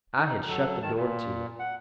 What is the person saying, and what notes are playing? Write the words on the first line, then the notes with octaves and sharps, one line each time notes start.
I had shut the door to.
D#4
F#3 A4
D#3 A5
A#2
F#5